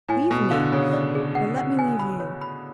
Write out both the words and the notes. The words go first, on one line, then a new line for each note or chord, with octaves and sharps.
Leave me! or let me leave you.
A2 G#5
B2 A4
D3 F5
C#3 A4
D5
G#4
F#5
F#5
G#5
B5
C#5
B5